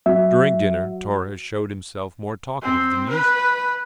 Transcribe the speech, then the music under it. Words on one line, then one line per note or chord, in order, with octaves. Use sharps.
During dinner Torres showed himself more talkative than usual.
F#3 E5
C4
B4